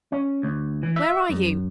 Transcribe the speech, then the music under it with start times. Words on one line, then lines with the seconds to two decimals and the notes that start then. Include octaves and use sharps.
"Where are you?"
0.12 C#4
0.43 D2
0.83 E3
0.96 E5
1.29 F#2